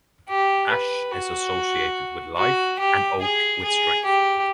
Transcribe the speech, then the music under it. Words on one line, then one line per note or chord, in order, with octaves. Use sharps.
Ash is associated with life and oak with strength.
G4
B4
F#4
F#4
G4
G#4
G#4
G4